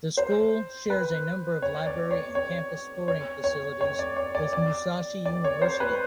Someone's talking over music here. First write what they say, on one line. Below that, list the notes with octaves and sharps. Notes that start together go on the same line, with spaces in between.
The school shares a number of library and campus sporting facilities with Musashi University.
C5
B4
C#5
D5
C#5
C#5
C#5
C#5
C#5
D5
C#5
D5
D5
D5
C#5
C5
B4